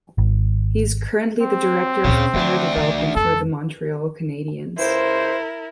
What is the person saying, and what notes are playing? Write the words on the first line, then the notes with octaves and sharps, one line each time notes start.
He is currently the director of player development for the Montreal Canadiens.
G#1
C4
D2 A#2 C#3
D2 D3 D#3 D4
C2 E3
F2 G#3 A4
C#2 E4 A#4 C5